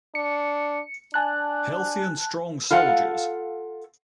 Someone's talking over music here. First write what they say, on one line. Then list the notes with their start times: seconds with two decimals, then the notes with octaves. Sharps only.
Healthy and strong soldiers!
0.15 D4 C#7
1.14 D4 G#5 A5 F#6
2.71 F4 A4 F5 F#5